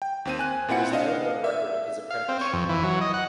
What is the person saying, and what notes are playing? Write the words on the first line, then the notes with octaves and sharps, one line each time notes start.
There is no known record of his apprenticeship.
G5
D#2 C4 D#7
G#5 F#6
A#2 C4 E4 F#5 C#7
D4 D#5 F5
E5
F5
C4
C#5
F2
E3
F#3
D#5
F#5